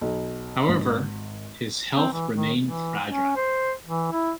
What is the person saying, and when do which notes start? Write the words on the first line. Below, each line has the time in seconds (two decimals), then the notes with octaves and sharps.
However, his health remained fragile.
0.01 B1
0.69 G#1
1.94 C4
2.13 E3
2.34 D#3
2.63 E3
3.08 C#4
3.36 C5
3.86 E3
4.12 E4